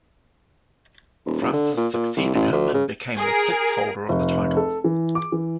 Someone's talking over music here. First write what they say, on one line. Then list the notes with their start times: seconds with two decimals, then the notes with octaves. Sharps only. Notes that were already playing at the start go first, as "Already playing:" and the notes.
Frances succeeded him and became the sixth holder of the title.
1.26 D#1
1.41 F#1
1.53 D3
1.77 A#2
1.94 A#2
2.17 C2
2.35 A1
2.53 D2
2.74 C#3
3.17 G#4 A#4
4.09 F1
4.57 A4
4.84 E3
5.15 D6
5.32 E3